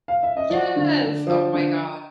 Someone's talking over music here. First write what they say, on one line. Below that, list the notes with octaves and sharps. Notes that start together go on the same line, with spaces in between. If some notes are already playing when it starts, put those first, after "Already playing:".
Yes, oh my gosh.
F5
E5
D#5
F3 D5
D3
D3
F3
D3